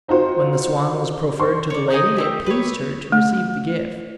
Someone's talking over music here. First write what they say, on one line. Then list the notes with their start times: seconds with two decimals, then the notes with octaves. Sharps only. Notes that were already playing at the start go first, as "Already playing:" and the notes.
When the swan was proffered to the lady it pleased her to receive the gift.
0.08 C4 D#4 F4 F#4 C5
1.40 C5 C6 C#6
1.70 C#5 D5
1.90 D#4 D#5 E5 G#5
2.17 C4 D#4 G4
2.46 B4 C#5
3.12 A3